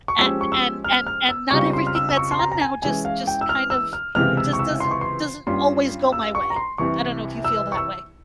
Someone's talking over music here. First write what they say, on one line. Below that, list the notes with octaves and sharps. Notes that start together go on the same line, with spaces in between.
and and and and not everything that's on now just just kind of it just doesn't doesn't always go my way, I don't know if you feel that way.
C#6
F3 G#3 C#4 G4 C5 E6
C#6
E6
F6
F6
E6
C#2 C#3 G3 C4 F4 C#6
C6
F6
E6
E6
C#6
C6
A#5
A#5
G#5
E3 G#3 C#4 E4 G#5
F5
G5
E6
F6
E6
F6
C#2 C3 E3 G#3 C4 F6
E6
C#6
E6
C6
C#6
C6
G2 G3 C#4 F4 C6
E6
C#6
A#5
C6
C2 C3 E3 C#6
E6
C#6
E6